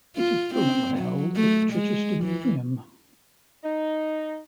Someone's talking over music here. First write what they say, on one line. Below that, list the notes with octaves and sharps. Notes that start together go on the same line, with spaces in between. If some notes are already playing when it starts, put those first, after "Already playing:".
It is currently held at Chichester Museum.
F4
C4
F#3
A3
G#3
E3
D#4